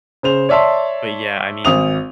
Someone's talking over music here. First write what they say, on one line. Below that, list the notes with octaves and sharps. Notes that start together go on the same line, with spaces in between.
But, yeah, I mean,
C#3 C5 F7
C#5 D5 E5 A5 C6
G#1 D#6 F7